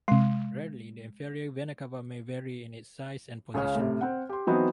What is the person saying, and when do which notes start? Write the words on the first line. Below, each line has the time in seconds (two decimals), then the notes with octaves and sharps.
Rarely, the inferior vena cava may vary in its size and position.
0.08 C3 G#3 C6
3.54 C#2 C#3 G#4 C#5 F5 F6
3.75 A2 C3
4.01 C4 F#5
4.29 G4 C6
4.47 E3 F#3 B3 C4 D#4 F#4